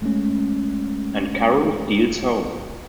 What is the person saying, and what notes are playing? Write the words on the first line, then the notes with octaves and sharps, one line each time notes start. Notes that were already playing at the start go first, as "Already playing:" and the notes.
"And Carew steals home".
G#3 A3 C#4